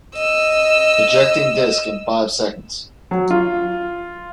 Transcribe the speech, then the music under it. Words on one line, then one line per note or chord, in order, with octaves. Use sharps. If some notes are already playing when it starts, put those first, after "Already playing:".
Ejecting disk in five seconds.
D#5 E6
F#3
F4